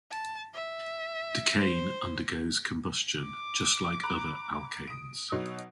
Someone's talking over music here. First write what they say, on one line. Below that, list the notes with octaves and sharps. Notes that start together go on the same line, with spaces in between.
Decane undergoes combustion, just like other alkanes.
A5
E5
C5
D6
A#5 B5 F#6
D#6 D7
B2 F#3 D#4